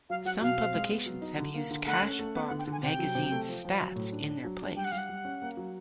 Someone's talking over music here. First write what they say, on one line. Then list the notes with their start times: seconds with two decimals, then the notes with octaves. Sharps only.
Some publications have used Cash Box magazine's stats in their place.
0.10 F#3 F5
0.25 F#3 F#5
0.42 B2 F5
0.58 C4
0.74 G#3
0.90 B3
1.06 F#3
1.22 D#4
1.38 D3
1.54 A#3
1.71 D3
1.86 A3 F#5
2.02 C#4
2.19 A3
2.35 B3 F#5
2.48 F#5
2.51 D3
2.59 G5
2.67 D3 G#5
2.83 C3 G5
2.99 F#3
3.15 C3
3.32 A3
3.49 F3
3.65 F3
3.80 F#3
3.96 A2
4.13 D4
4.29 D4
4.44 F#3
4.61 D4
4.76 G3 G5
4.85 F#5
4.92 G3 F5
4.98 F#5
5.09 G3
5.25 C#4
5.42 A#3
5.57 F#3